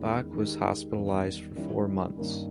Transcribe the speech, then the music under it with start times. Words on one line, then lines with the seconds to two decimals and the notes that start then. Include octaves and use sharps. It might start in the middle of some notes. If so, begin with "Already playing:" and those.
Bach was hospitalized for four months.
Already playing: E2 D#3 G#3 C#4 E4
0.33 D#3 G#3 D#4 G4
0.95 E2 D#3 G3
1.56 D#3 G3 C#4 E4
2.17 G2 D#3 A#3 C#4